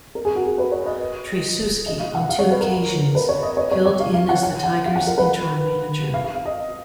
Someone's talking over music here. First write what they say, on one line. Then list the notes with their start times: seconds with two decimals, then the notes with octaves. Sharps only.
Tracewski, on two occasions, filled in as the Tigers' interim manager.
0.15 A#4
0.25 G#4
0.36 F#4
0.46 G#4
0.58 B4
0.72 C#5
0.86 D#5
1.86 D#5
2.00 F5
2.15 F#5
2.29 F5
2.39 C#5
2.51 B4
2.61 A#4
3.15 B4
3.29 C#5
3.43 D#5
3.57 C#5
3.71 C#5
3.86 C#5
4.00 F5
4.14 F5
4.29 F#5
4.43 F#5
4.64 F#5
4.85 F5
4.96 F#5
5.07 A#4
5.18 B4
6.14 F5
6.24 F5
6.35 F5
6.46 D#5